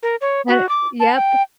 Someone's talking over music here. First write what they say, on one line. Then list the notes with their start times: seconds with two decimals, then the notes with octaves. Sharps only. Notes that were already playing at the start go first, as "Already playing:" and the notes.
and yep.
0.03 A#4
0.21 C#5
0.48 F#4
0.69 D6
1.00 A5
1.16 G5